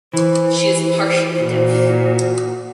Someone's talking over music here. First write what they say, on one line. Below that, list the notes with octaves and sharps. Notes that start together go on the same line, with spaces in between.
She is partially deaf.
E3 C5
A#2 F#4